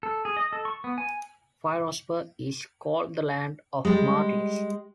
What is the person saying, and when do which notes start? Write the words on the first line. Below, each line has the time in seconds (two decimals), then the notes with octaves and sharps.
Firozpur is called 'the land of martyrs'.
0.03 A4
0.25 G#4
0.37 D#5
0.53 A4
0.65 C#6
0.84 B3
0.98 G#5
3.85 G3 G#3